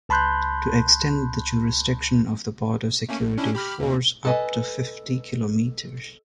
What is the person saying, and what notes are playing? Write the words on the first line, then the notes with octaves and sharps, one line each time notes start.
To extend the jurisdiction of the Border Security force up to fifty kilometres.
C#2 A5 B5 C6 F#6 G6
A3 A#3 C#4
A#1
C#4 D4 E4
G4 B5 F6
D#2 B2
A4 B4 D#5 G#5